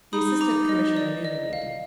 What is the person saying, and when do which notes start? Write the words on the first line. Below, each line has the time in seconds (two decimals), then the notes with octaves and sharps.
The Assistant Commissioner knew the lady.
0.13 D#4 B5 D#6
0.41 A#5 D6
0.69 D#5
0.97 D5
1.25 D#5
1.53 F5